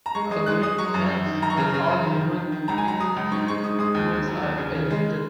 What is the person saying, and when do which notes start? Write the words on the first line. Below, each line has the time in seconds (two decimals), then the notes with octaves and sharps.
A game ends when all human players are eliminated.
0.06 A#5
0.15 G#3 C#6
0.31 G#3 D#6
0.46 G#3 F#6
0.62 G#3 D#6
0.78 F#3 C#6
0.94 F#2
1.10 F#2
1.26 D#3
1.42 F#2 A#5
1.50 C#6
1.57 C#3 A#5
1.74 C#3
1.89 F#2
2.05 D#3
2.21 D#3
2.37 D#3
2.52 D#3
2.68 C#2 A#5
2.78 G#5
2.84 F#3 A#5
3.00 F#3 D#6
3.17 C#2
3.32 G#2 C#6
3.48 G#3 C#6
3.63 G#2 D#6
3.79 G#3 D#6
3.95 D#2
4.11 D#2
4.27 F#3
4.42 D#2
4.58 C#3
4.75 C#3
4.91 G#3